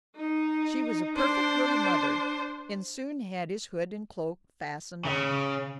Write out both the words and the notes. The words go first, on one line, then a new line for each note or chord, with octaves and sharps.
She was a perfect little mother, and soon had his hood and cloak fastened on.
D#4
D4 C5
C#3